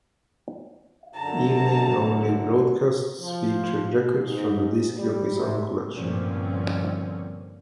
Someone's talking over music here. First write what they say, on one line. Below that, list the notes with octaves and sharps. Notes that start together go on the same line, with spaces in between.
Evening-only broadcasts featured records from the disc jockey's own collection.
F#2 D3 A5 A#5
F3
G#2
G3
C3
G2 A#2 D3 F3 C4 C#4